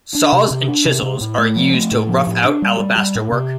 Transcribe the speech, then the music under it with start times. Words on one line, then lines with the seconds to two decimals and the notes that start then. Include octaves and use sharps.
Saws and chisels are used to rough out alabaster work.
0.15 D4
0.32 C3
0.51 C3
0.68 D4
0.86 C3
1.03 C3
1.21 A2
1.38 A3
1.56 F3
1.74 A3
1.91 A2
2.09 F3
2.27 A2
2.44 D4
2.62 G3
2.79 G3
2.98 G3
3.15 A2
3.32 C3